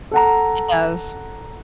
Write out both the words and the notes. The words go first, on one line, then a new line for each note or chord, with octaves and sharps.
It does.
A4 F#5 A#5